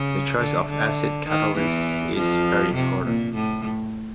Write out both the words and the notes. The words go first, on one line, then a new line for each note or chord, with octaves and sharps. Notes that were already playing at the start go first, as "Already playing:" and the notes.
The choice of acid catalyst is very important.
Already playing: C#3
D3
D3
D#3
E2 E3
F2 F3
C3
A#2
A2